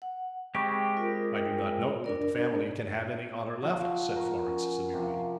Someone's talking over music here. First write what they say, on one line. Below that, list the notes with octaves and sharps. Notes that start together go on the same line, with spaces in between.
"I do not know that the family can have any honor left," said Florence, severely.
F#5
G#3 C4 G4 G5 B5 C#6
F4 A#4
D4 A#4 D5
F3 F#4
A#4 C#6
C#4
C3 F3